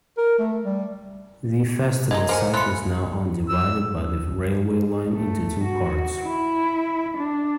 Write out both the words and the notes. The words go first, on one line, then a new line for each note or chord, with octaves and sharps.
The festival site was now on divided by the railway line into two parts.
A#4
A3
G3
C#3 G#3 D#4 D#5
A#3 C5 G#5 A#5
D#3 E4 F4 F#6 C#7
E6
A3
F#4
E4
D4